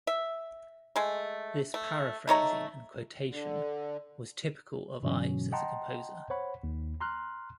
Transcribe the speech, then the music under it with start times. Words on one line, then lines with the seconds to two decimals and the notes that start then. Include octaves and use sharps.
This paraphrasing and quotation was typical of Ives as a composer.
0.07 E5
0.96 G#3 A3
1.74 A3
2.28 A3 D#4 C#5 A#5
3.31 D3
5.03 G2 B2 D3 E3 F#3 C#4
5.52 D#5 F#5 G5 A5 A#5 C6
6.30 C5 C#5 F#5 B5
6.64 D#2
7.00 A#5 C6 F6 F#6